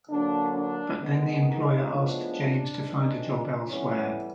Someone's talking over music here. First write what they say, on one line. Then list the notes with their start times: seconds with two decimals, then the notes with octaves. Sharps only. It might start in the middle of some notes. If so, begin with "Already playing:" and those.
But then the employer asked James to find a job elsewhere.
0.10 D3 F#3 A#3 D4
0.54 D4
0.99 D#3 G#3 B3
1.44 D#4
1.88 A2 F3 G#3 B3 D4
2.78 C3 D#3 G#3
3.66 A2 E3 G3 B3 C#4